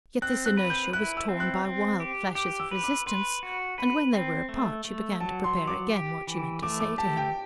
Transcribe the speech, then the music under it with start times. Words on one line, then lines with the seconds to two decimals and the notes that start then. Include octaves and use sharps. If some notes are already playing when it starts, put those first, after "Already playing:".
Yet this inertia was torn by wild flashes of resistance, and when they were apart she began to prepare again what she meant to say to him.
0.22 C4 F#6
0.46 F#6
0.57 B4
0.70 G6
0.93 E4 F#6
1.17 E6
1.29 C4
1.40 F#6
1.65 C4
2.00 G4
2.35 G4 D6
2.59 E6
2.71 B4
2.84 D6
3.06 B4 C6
3.43 F#4
3.78 B4 B5
4.13 C4
4.49 A3
4.85 A3
5.20 F#3 A5
5.44 C6
5.57 F#3
5.67 D6
5.92 G4
6.27 E3
6.62 A3 D6
6.80 D6
6.98 G4 A5
7.17 G5